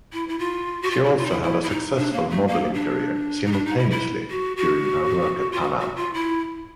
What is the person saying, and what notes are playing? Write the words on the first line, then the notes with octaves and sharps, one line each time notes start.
She also had a successful modelling career simultaneously during her work at Pan Am.
E4
E4
F4
F#4
F4
E4
F4
D#4
E4
E4
E4
D#4
D4
A#3
A3
A#3
D4
D#4
D4
D#4
E4
E4
F#4
F#4
F4
F#4
F#4
F4
E4